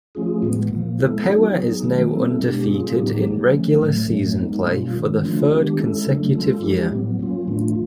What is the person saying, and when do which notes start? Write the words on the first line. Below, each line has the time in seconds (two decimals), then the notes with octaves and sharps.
The Power is now undefeated in regular season play for the third consecutive year.
0.15 F3 A3 C#4 F4 G#4
0.42 A2 E3 G#3 B3
0.71 A#2 F3 A#3
0.99 G#3 B3 E4 A4
1.28 F#3 B3 D#4 F#4
1.56 F#3 B3 D#4 G#4
1.84 D#3 F#3 A3
2.12 G3 C4 E4 A4
2.40 B2 G#3 B3 D4 G4
2.68 G3 A#3 C#4 F4 G#4
2.96 A2 F#3 B3 D#4 G4
3.25 E3 G3 A#3
3.53 D3 F3 A3 C#4
3.81 A2 F#3 A3
4.09 A2 F#3 A3 C#4
4.37 G#3 B3 D#4
4.66 B2 G3 A#3 C#4 F4
4.93 D#3 G#3 C#4
5.22 D3 F3 A3 D4 F4
5.50 D#3 G#3 B3 D4 G4
5.79 G#3 C#4 E4 A4
6.07 C#3 F#3 A3 D4
6.34 G#3 C#4 F4 A4
6.62 F3 G#3 C#4 E4 G4
6.91 A2 F#3 B3
7.19 F#3 A#3 C#4 F4
7.47 A2 E3 A3 D4 F4